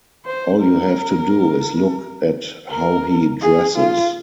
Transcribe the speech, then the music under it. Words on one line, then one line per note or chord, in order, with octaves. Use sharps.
All you have to do is look at how he dresses.
C5
A#4
A#4
G#4
F4